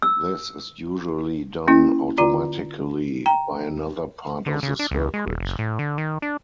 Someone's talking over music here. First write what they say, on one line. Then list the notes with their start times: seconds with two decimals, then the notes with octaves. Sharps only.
This is usually done automatically by another part of the circuit.
0.02 E6
1.68 A#3 C#4 E4
2.18 D3 F4 D5 A#5
3.26 G5 A#5
4.46 D3
4.63 C#3
4.79 D4
4.91 C#2
5.14 G#3
5.27 D#1
5.40 F#1
5.59 A2
5.79 D3
5.98 D#3
6.22 D4